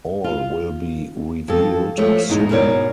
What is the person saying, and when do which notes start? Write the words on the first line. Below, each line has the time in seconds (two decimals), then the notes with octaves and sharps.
All will be revealed soon.
0.24 F4
1.48 F2 A4
1.98 F3 A3 C#5
2.29 E2 G#2 D#4
2.49 G#2 B2 E4 A#4 C#5 D5